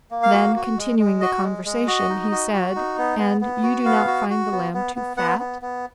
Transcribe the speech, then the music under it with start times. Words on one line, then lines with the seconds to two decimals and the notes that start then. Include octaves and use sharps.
Then, continuing the conversation, he said: "And you do not find the lamb too fat?"
0.11 A#3
0.23 F5
0.33 F#4
0.56 F#4
0.78 G#3
0.99 G#3
1.21 F#4 D#5
1.43 G#3
1.65 G#3
1.87 F#4 D#5
2.10 D#4
2.31 F#4
2.53 F#4
2.76 D#4
2.98 B3
3.19 B3
3.41 B3
3.63 F#4
3.85 B3 F5
4.07 F#4
4.30 F#4
4.52 B3
4.74 B3
4.96 B3
5.17 B3 F#5
5.39 B3
5.62 B3